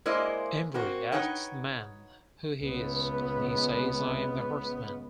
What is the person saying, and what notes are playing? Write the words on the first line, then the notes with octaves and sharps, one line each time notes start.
Imbri asks the man who he is, and he says "I am the Horseman".
G#3 A#3 E4 C5 D5 D#5
A#3 C4 F#4
D#4 B4 C#5 F#5 G5
C#2 B3